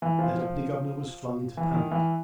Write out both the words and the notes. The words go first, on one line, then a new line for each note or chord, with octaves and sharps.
The Deputy-Governor was flung into panic.
E3
F3
F3
E3
D#3
E3